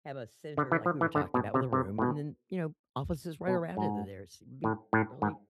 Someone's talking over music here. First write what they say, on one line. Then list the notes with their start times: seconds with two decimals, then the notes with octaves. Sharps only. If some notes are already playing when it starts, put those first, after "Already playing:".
have a center- like we were talking about- with a room and then, you know, offices right around it. Th there's it'd be really
0.57 D3
0.72 E3
0.86 F3
1.01 E3
1.15 D3
1.34 B2
1.54 C3
1.73 C3
1.98 A2
2.02 B2
3.47 B2
3.77 G#2
4.64 A2
4.93 A2
5.22 G#2